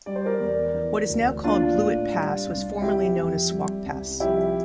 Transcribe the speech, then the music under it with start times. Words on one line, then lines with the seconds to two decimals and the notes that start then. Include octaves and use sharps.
What is now called Blewett Pass was formerly known as Swauk Pass.
0.06 G3 D5
0.15 C5
0.26 A#4 D5
0.40 E2
0.74 E3
1.09 D2
1.43 A#3 D4 F4
1.78 A2
2.13 G3
2.47 C2
2.82 E3 E4 G4
3.16 F2
3.51 G3
3.86 C2
4.20 F3 E4 G4